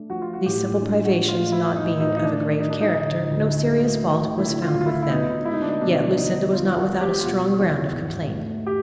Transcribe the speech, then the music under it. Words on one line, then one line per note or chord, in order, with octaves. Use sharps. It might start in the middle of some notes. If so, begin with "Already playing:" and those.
These simple privations not being of a grave character, no serious fault was found with them; yet Lucinda was not without a strong ground of complaint.
Already playing: A3 D4
F3 F#4
F4
F#4
A2 G4
D4
F#4
A3
F4
F3 E4
D#4
A2
D#4
D#4
A3 D4
F#3 D#4
D4
D#4
D3
D2
A3
F#3
D3 E4
F4
D2
F4
E4
E4
B3 D#4
G#3 E4
D#4
D4
D#4
B2 D4
E2 D#4
B3 F4
F#4
G#3
G4
F4
B2 F#4
E2
G#2
A3
G4